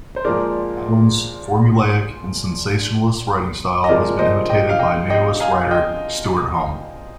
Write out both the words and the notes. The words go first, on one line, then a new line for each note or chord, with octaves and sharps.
Allen's formulaic and sensationalist writing style has been imitated by Neoist writer Stewart Home.
C5
A#2 F3 G#3 A#4 D5
D#5
C3 F3 G#3 A#4 D5
C5 D#5
D#5 G5
F5
D#5 G5
D#5 G5
F5 G#5
D#5 G5